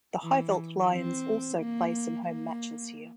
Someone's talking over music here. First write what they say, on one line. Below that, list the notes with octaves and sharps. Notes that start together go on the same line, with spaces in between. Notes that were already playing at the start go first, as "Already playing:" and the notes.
The Highveld Lions also play some home matches here.
E3
C4
A#3
A#3